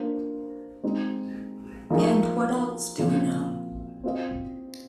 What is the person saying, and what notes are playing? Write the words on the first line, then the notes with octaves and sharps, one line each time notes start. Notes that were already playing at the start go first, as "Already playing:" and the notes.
And what else do we know?
Already playing: A#3 D4 F4 C5
G#3 C4 D#4
F3 A#3 D#4 G#4
A#2 F3 C4
C4 F4 C5 D#5